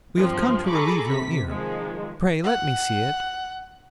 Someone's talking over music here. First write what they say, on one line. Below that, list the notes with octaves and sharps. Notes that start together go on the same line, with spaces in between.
We have come to relieve your ear. Pray let me see it.
G2 F3 F#3 C4
G#4 A4 A#5 B5 C#6 D6
C3 B6
D#3 F3 G#3
F#5